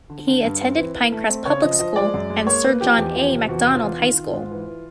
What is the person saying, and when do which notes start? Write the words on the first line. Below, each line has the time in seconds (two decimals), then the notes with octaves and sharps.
He attended Pinecrest Public School and Sir John A. Macdonald High School.
0.09 D3
0.28 D3
0.44 G2
0.61 C4
0.77 E3
0.95 E3
1.12 A3
1.29 C4
1.45 C#3 C#5
1.62 F3 D#5
1.79 F3 D#5
1.96 G#3 D5
2.14 F#2
2.30 G#3
2.47 A#3 C#5
2.64 A#3 B4
2.81 F3 G4
2.97 E2
3.15 F3
3.32 C3
3.49 E2 F#4
3.65 C3
3.75 F4
3.82 E2
4.00 D#3
4.17 D#3
4.33 G#2
4.51 E3
4.67 E3